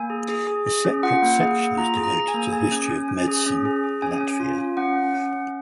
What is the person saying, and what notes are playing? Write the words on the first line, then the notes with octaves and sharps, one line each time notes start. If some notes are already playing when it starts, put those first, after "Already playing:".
A separate section is devoted to the history of medicine Latvia.
Already playing: A#3 G#5
G#4
G#4
G#4
G#4
C#4
F4 F#5
A#3
G#4
A#3
F4 A#5
G#4
A#5
G#4
G#5
A#3
G#4 G#5
C#4
C#4
C#4
G#4
C#4
G#4
G#4
C#4 G#5
C#4
F4
F4
C#4 F#5
C#4
C#4
C#4